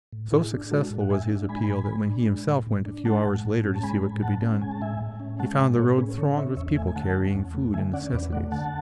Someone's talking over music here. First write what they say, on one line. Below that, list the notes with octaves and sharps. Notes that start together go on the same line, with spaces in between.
So successful was his appeal that when he himself went a few hours later to see what could be done, he found the road thronged with people carrying food and necessaries.
A2
A2 E4 G#4
D4
G#3 F#4 A4
A2
F#5
A2 E5 G#5
D4
G#3 G#5 B5
A2
A2
D4
G#3
A2
A2
D4
G#3 F#5 A5
A2
A2
C#4
A5
G#3 G#5 B5
A2
A2 F#5 A5
C#4
G#3 G#5
A5
A2 E5 G#5
A2
C#4
G#3 F#5 A5
A2 E5 G#5
A2 A4 C#5
C#4 G#4 B4
D3 A4 C#5
C#4 C#5 E5
E2 C#5 E5
A3 E5 G#5
G#5
D3 F#5 A5
C#4
E2
A3
D3 E5 G#5
C#4 D5 F#5
E2 B4 D5
A3 D5 F#5
D3 F#5 A5